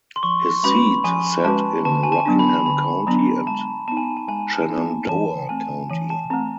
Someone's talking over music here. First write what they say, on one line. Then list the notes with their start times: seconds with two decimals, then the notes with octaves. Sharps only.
His seat sat in Rockingham County and Shenandoah County.
0.16 C6
0.23 F3 C#6
0.63 G#3 C#4 F#4 B4 B5
1.04 F3 G#5
1.44 G#3 C#4 F#4 B4 A5
1.85 D3 A5
2.03 G#5
2.12 A5
2.26 F#3 B3 D4
2.39 B5
2.66 D3 B5
3.07 F#3 B3 D4 A#5
3.47 G#3 A5
3.88 B3 D#4 A5
3.97 G#5
4.17 G#5
4.28 G#3 G#5
4.55 A5
4.68 B3 D#4
4.82 A5
5.09 E3 A5
5.49 A3 C4 G#5
5.90 E3 G#5
6.10 A5
6.30 C4 A#5
6.33 A3